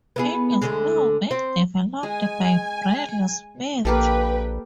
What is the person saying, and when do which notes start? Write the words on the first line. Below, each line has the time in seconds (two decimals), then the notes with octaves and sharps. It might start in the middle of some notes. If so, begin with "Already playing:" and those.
It is now being developed by Bradley Smith.
0.16 B3 E4 G#4
0.62 D2 D3 G#3
1.31 C4
2.03 G#3 G#5
3.85 A#1 A#3 G4 A4 B4 G5